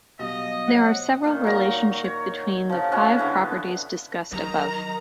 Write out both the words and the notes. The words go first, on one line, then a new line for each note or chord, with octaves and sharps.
There are several relationship between the five properties discussed above.
B2 F#3 G3 D#5 F5
C5 C#5 F#5
A#2 D#3
F#3 A#5
C#5
C#3 F3
G#3 C#4 F#4 C#5
D3 E3 B3
D#3 F#3 A#5